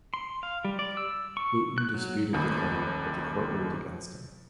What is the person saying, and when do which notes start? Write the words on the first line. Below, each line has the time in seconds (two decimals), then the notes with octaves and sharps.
Lewton disputed the claim, but the court ruled against him.
0.14 C6
0.43 F5
0.65 G3
0.79 D5
0.97 E6
1.37 C#6
1.78 F#6
1.94 F#3
2.33 D#1 D#2 A3 B5